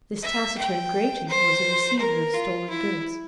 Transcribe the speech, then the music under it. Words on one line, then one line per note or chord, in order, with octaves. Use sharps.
This taciturn grating was a receiver of stolen goods.
E5
G5
C5
A#4
F4
E4